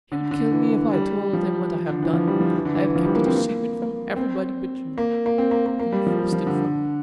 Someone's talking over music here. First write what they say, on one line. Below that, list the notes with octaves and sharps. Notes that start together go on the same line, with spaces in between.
He would kill me if I told him what I have done. I have kept it a secret from everybody but you--and you forced it from me.
D3
D3
E3
G3
F3
D3
E3
F3
G3
F3
E3
D3
E3
F3
G3
A#3
C4
A#3
C4
A#3
A#3
C4
A#3
A#3
A#3
G3
F3
G3
F3
D3